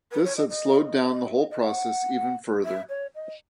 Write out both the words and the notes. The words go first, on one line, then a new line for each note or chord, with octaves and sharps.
This had slowed down the whole process even further.
B4
C#5
D#5
D#5
D#5
E5
D#5
D#5
F#5
E5
C#5
D#5